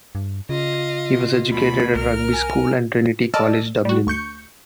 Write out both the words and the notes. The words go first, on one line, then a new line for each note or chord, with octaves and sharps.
He was educated at Rugby School and Trinity College Dublin.
G2
C#3 F4 D#5 F5
D2 B2 B5
C2 A#4 F6
G#5
D5 D#5 A5 E6 F6
G3 F#4
D2 C#6 G6 C#7